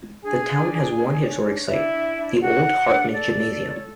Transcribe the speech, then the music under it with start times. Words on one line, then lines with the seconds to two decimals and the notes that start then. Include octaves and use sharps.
The town has one historic site, the old Hartman Gymnasium.
0.23 D4 G#4 G#5
0.47 D4
0.71 G#4
0.96 D4
1.19 C#5
1.44 D4
1.67 D4 E4 E5
1.91 D4
2.16 D4
2.40 D4 F#4 F#5
2.65 F#4
2.88 D4
3.12 A4 D5
3.36 A4
3.60 C#5